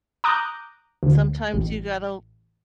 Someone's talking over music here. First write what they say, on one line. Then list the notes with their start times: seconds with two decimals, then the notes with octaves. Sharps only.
Sometimes you gotta
0.24 A#5 D6 D#6 F#6 G6
1.03 D2
1.54 A1